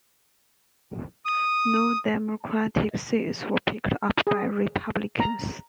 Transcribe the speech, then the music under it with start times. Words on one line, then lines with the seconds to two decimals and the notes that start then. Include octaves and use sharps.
No Democratic seats were picked up by Republicans.
1.25 D#6
4.27 G#4
5.20 A#5